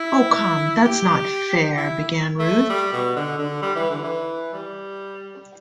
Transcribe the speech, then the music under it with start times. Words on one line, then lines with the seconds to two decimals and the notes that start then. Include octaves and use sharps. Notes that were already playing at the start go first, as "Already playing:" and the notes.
"Oh, come; that's not fair," began Ruth.
Already playing: E4
0.86 G4
1.77 E4
2.39 A3
2.70 G3
2.92 B2
3.16 D3
3.38 D3
3.62 G3
3.76 E3
3.90 D3
4.03 E3
4.53 G3